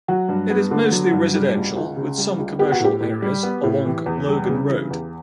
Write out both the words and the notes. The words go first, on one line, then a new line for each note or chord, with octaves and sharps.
It is mostly residential, with some commercial areas along Logan Road.
F#3 F#4
G2
B3
D3
F#3
G2
G3
C#2
C#2
C#3
G3
C#2
B3 G4
F#4
A2 G4
A2
G3
B3
A2
E3
E2
G3
C#3
E3
E2